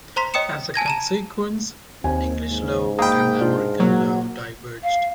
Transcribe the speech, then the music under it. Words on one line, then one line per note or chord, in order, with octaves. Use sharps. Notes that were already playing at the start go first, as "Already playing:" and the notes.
As a consequence, English law and American law diverged.
C5 A#5 C6 B6
C#5 D#5 G5 D#6 C#7 E7
G#5 A5 G#6 A#6
A5 A#5 E7
D#2 C4 G#5
G#2
A#3 G5 B5 D#6
D4 F4
F#3 A#3
F5